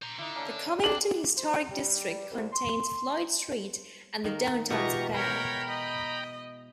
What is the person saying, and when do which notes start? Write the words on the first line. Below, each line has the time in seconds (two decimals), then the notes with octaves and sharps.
The Covington Historic District contains Floyd Street and the downtown square.
0.03 C5 A#5
0.18 D3 D#4 E4
0.35 A#3 C#4 D4
0.84 C4 D4 D#4 G5 F#7
1.37 C5
1.71 G3
2.32 C2
2.52 C6
4.24 D#3 A#3
4.70 B2 E3 G#3 F4 G4 A#5 C#6
5.14 A#4 C#5 G5 A#5 B5
5.69 D#5